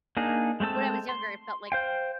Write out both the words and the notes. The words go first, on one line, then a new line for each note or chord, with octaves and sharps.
When I was younger, it felt, like,
A#3 D4 D#4 G#4
G#3 A3 C4 A5 E6
C6
C5 F5 G5